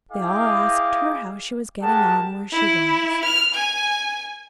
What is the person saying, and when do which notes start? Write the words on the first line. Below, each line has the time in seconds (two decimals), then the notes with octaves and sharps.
They all asked her how she was getting on where she was.
0.11 E4 G#4 D#5 F5 G5 D6
1.81 G4 G#4 A#4 F#5 A5
2.52 E4
3.25 F6
3.55 G#5